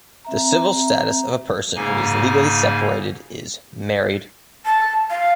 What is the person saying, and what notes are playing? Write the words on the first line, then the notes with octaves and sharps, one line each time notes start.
The civil status of a person who is legally separated is "married".
C4 E5 A#5
G#2 C#3 A#3 D#4 G#5
A5
F5